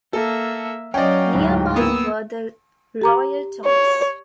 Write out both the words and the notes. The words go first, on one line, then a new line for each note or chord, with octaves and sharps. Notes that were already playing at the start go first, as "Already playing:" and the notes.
Near by were the royal tombs.
A#3 A4 E5
F#3 C#4 D5 D#5 F5 G5
D1 G#2
A#3 B3 D#6 E6
G4 A#5 D6
C#5